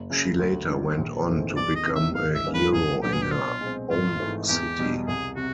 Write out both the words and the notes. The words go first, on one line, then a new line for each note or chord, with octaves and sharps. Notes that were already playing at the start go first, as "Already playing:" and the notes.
She later went on to become a hero in her own city.
Already playing: F#1
F#2 C#3
D2
D3 G3
A#1
G#2 E3 A3 C4
E2 D5
D#5
C3 D#3
E5
G#2 F5
E5
D#3 G3 A#3 C#4
B4
C2 G#4
A#2 F#3 B3 D4 G4
G#4
G4
B2 F4
G#3 C4
G#1 F4
G#2 E3 A3
E2 G4
B2 G3
C2 G#4
C3 F#4